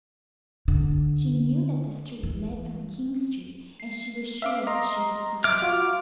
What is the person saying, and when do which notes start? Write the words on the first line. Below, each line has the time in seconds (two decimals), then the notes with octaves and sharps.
She knew that the street led from King Street, and she was sure that she could find it.
0.68 D3
2.23 E3
3.80 C7
4.42 E5 F5 D6
4.67 D#5 A#5 C6
5.44 E5 D6 F6
5.62 F4 F#4